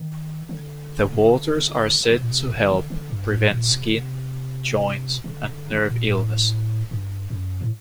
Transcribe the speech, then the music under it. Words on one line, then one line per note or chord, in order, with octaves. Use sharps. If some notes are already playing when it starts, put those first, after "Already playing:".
The waters are said to help prevent skin, joint, and nerve illness.
Already playing: D#3
D3
C3
A#2
C3
D3
D3
D3
G2
A2
A#2
C3
D3
C3
C3
D3
C3
D3
D3
A#2
A2
G2
F#2
A2